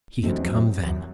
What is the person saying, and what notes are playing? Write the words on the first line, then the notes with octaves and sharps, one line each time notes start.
He had come then.
E2 C3 F#3 C4 D#4 A4
F#2
E2
F#2